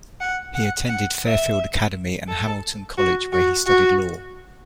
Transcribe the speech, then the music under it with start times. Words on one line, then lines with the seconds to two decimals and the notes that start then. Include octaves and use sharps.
He attended Fairfield Academy and Hamilton College, where he studied law.
0.21 F#5
0.55 F#5
0.89 F#5
1.25 E5
2.28 A4
2.97 F#4
3.32 F#4
3.67 F#4